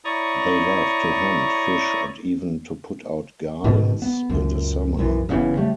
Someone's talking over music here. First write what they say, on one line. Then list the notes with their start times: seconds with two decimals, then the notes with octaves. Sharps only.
They loved to hunt, fish and even to put out gardens in the summer.
0.05 E4 C#5 D5 A#5 C#6 D#6
3.64 G#2 B2 D#3
4.02 B3
4.29 C#2 F#2
4.97 B1 F#2 E3
5.29 F#1 C#3 E3 B3
5.56 C#3 F#3 G3 A3